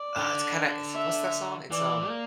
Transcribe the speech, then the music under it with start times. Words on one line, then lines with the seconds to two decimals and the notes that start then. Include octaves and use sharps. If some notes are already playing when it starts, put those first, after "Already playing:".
Uh, it's kinda it's what's that song? It's, um,
Already playing: D5
0.17 D3
0.94 E5
1.71 E3 D5
2.08 A#3